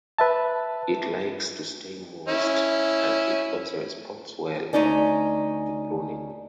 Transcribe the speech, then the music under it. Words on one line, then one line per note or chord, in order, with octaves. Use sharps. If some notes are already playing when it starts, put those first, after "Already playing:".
It likes to stay moist and it also responds well to pruning.
B4 E5 A5
C#4 E4
D2 D3 C#4 D#4 D5 G#5